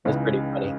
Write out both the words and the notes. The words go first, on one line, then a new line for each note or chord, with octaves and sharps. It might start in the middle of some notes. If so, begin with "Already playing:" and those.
It's pretty funny.
C#2 C#3 E3 G#3 D#4